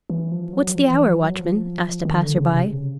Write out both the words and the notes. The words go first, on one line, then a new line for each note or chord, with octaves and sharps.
"What's the hour, watchman?" asked a passer-by.
E3
F3
F#3
F3
E3
F3
F#3
F3
D#3
D3
C#3
C3
C#3